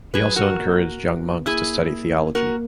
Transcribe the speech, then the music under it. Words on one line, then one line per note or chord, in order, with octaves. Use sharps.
He also encouraged young monks to study theology.
F#3 G#4 B4
F#4 A#4
A#3
B3
A#3 E4 G#4
A#3 F#4 A#4